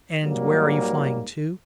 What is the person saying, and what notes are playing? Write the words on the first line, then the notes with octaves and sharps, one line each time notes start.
"And where are you flying to?"
G#2 F#3 G3 A#3